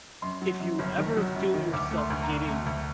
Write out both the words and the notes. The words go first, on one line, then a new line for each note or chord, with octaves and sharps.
if you ever feel yourself getting
F#2 C6
F#3
F#2
G1
D#3
F#3
F#2
D#3
D2 D6
A3
C6
D2
A#5
D3
A3 A#5
D2